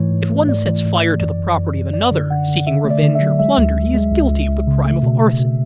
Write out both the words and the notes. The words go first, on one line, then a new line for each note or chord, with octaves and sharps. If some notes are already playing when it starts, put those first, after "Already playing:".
If one sets fire to the property of another, seeking revenge or plunder, he is guilty of the crime of arson.
Already playing: G#2 E3 A3 C#5
G#2
A3
G#2 D5
E3
G#2
E3
F#2 D5
F#2
F#2
F#2
F#2 D5
D3
D3 F#5
D3
D3 E5
A3
D5
D3
E5
F#3
G#3 E5
D2
D2
G#3
C#2
C#2
C#2
C#3
A3
B2
A3
B2